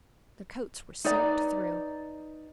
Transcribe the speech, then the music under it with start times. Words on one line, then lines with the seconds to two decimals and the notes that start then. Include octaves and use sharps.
Their coats were soaked through.
1.05 D#4 B4 D5 A#5